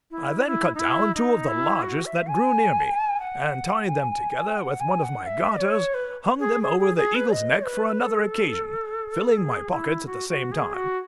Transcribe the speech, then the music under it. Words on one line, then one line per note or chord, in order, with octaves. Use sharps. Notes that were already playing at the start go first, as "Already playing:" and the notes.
I then cut down two of the largest that grew near me, and tying them together with one of my garters, hung them over the eagle's neck for another occasion, filling my pockets at the same time.
E4
E4
D#4
E4
D#4
E4
F#4
E5
G#5
F#5
G#5
F#5
G#5
F#5
E5
C#5
B4
G#4
G#4
G#4
G#4
B4
D#5
B4
A4
G#4
E4
F#4
F#4
G#4
F#4